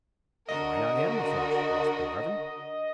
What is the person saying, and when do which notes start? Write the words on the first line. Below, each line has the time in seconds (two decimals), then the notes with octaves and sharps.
"Why not animal flesh?" asked Glenarvan.
0.49 D3 F#4 A#4 D#5